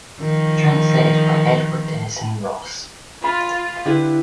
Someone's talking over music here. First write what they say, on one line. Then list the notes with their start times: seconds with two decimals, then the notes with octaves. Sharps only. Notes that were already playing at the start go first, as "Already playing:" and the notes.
Translated by Edward Denison Ross.
0.21 D#3 F3
3.24 F4 B5
3.86 D3 E4 G4 B4